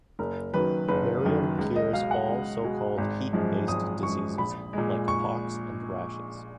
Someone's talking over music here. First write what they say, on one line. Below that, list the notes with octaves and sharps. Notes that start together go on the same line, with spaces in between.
Mariamman cures all so-called "heat-based" diseases like pox and rashes.
F#1 A#4
F#2 D#3 F#3 B4
F#1 B4
F#2 D#3 F#3
C#2
D#5
B2 G#3 F5
F#5
C#2
B2 G#3
G#1
F#2 F3 G#3
G#1 D#6
F#2 F3 G#3 C#6
A#1 B5
A#2 G#3
C#6